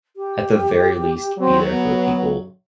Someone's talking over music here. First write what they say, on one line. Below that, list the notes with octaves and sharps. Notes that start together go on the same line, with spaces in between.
at the very least, be there for the people
G4
F#3 C4
B3